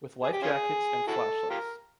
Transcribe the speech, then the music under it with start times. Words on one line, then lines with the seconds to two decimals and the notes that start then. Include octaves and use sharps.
With life jackets and flashlights.
0.23 G#4
0.32 G4
0.42 C#4 F4 G#4
1.07 E4 F#4 A4
1.50 F4 G4 A#4